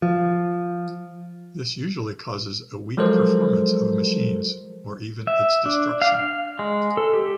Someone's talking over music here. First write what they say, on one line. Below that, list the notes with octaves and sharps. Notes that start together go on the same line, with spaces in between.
This usually causes a weak performance of machines or even its destruction.
F3
F3 F#3 G#3 A4 A#4 C5
E5
D4
F5
F6
G#3
A4
G4